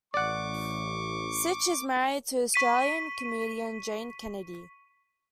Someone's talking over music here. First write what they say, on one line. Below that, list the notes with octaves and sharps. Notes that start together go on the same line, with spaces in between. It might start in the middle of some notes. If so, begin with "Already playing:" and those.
Sitch is married to Australian comedian Jane Kennedy.
A1 D5 F#5 C#6 D6
C#6 B6 D#7